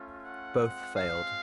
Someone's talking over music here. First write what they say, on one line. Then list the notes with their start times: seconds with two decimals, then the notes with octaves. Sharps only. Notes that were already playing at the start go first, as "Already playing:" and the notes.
Both failed.
Already playing: A3 C#4 F4
0.22 F#5
0.59 G#3 C4 F4
0.96 F5